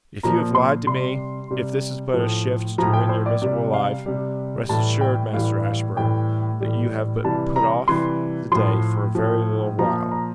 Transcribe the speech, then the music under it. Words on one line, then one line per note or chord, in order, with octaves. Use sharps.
"If you have lied to me, if this is but a shift to win your miserable life, rest assured, Master Ashburn, that you have but put off the day for a very little while."
A#2 F3 A#5
C6
C3 G3 C6
C3 G3
A2 F3
A2 F3 A#5
G5
C5
D5
C3 G3 D5
F5
C3 G3
A2 E3 G3 A5
G5
A2 E3 G3 F5
F5
A2 E3 G3 G5
A2 E3 G3
C3 E3 G3 A5
A#5
C3 E3 G3 C6
A2 F3 C6
A2 F3
A#2 F3 A#5
A#5